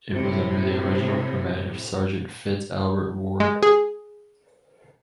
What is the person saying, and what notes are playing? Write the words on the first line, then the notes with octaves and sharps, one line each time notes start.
It was under the original command of Sergeant Fitz Albert Ward.
A2 C3
G#3
G#4